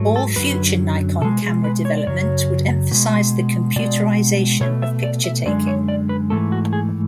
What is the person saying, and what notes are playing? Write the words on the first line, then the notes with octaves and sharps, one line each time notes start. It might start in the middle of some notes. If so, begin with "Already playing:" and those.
All future Nikon camera development would emphasize the computerization of picture taking.
Already playing: G#2 F#3 A3
A4
F#2 D3 F#3 B4
B2 G#3 A4
G#4
B4
C#5
D5
F#2 C#3 F#3 C#5
B2 G#3
B2 G#3 D5
B2 A3 C#5
E5
D5
E5
F#2 D3 G#3 D5
C#5
D5
B4
G#2 E3 A3 A4
F#4
G#4